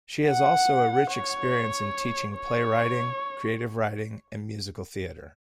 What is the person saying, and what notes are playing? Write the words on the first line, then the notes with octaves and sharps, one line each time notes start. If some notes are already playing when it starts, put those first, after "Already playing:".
She has also a rich experience in teaching playwriting, creative writing, and musical theatre.
F#5
C#5
C#5